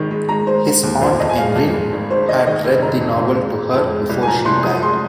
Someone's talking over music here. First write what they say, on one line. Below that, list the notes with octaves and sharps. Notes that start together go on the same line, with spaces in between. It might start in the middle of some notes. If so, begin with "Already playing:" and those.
His Aunt Emrine had read the novel to her before she died.
Already playing: G#1 G#2 D#3
G#3
G#3 A#5
G#3 C5
G#3
D#2
F2 C5
F2 D#5
G#5
G#3 F5
F2
G#2
G#1
G#1 C5
G#1 D#5
D#3 D#5
F1
F1 A#5
F2
F2
G#3
G#3
F2
G#3
C2
G#5
F3 A#5
C2 C6
F3 D#6
G#3 C6